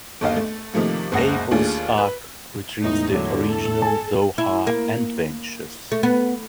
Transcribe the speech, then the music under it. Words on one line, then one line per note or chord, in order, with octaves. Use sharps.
Abel's Ark retrieves the Original Zohar and vanishes.
G1 D#2 D#5 F5
A3
C3 D#3 F3 A3 A#3
F#1 C#2 F#5 A#6
D#2 A3 D4 F4 G#4
B4
E1 A2 D#4
D3 F#3
A4
G#5 A5
E4
A#3
A3
B3